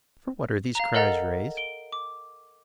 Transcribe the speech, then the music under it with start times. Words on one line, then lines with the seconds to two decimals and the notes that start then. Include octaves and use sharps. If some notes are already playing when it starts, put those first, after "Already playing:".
'For what are these cries raised?
0.75 F5 A#5
0.94 A4 A#4 D#5 F#5 A#5 A6
1.57 D7 G7
1.92 D6